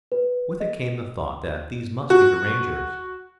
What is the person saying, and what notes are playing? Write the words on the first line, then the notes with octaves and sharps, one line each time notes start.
With it came the thought that these must be the Rangers.
B4
D#5
F#4